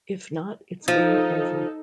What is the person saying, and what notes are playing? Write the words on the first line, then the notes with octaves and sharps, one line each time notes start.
If not, it's game over.
F3 D#4 A4